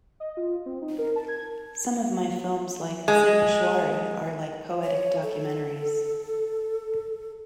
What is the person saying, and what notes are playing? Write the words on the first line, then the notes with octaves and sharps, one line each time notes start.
Some of my films like "Siddheshwari" are like poetic documentaries.
D#5
F4
C4
D#4
A#4
A5
G#6
G#3
C#5
A4